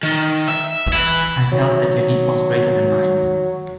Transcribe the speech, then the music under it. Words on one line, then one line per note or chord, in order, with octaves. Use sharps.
I felt that your need was greater than mine.
D#3
E5
E4 B4
D#3 F#3